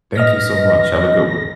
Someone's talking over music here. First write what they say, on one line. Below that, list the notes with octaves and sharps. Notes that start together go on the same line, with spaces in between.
Thank you so much. Have a good one.
B4 D#5 F6 A#6 B6